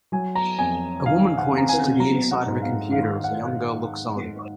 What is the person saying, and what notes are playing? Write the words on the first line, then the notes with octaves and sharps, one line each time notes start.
A woman points to the inside of a computer as a young girl looks on.
F#3 G#5
A#5
F2 G#5
D#3 F5
F#5
C4 A#5
G#5
F#3 A#5
F#5
G#2
F5
D#3 F5
F#5